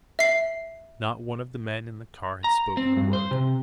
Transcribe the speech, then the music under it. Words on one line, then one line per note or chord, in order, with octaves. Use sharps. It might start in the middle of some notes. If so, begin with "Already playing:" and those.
Not one of the men in the car had spoken a word.
E5 C7
A#5
C4
G2
C5
C3